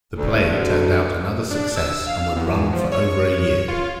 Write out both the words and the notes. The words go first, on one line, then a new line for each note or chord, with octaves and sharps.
The play turned out another success and would run for over a year.
D2
D4
E6
F5
E2
F3
C#5
F4